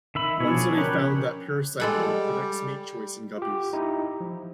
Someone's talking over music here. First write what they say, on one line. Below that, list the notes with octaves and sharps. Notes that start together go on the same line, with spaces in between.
One study found that parasite load predicts mate choice in guppies.
D#3 E5 B5
B2 D4 G#4 C#5
F3
C#4 G4 A#4 B4 C#5
G3 G#3 A4 F#5
F4 G4
D#4 E4 G4
F3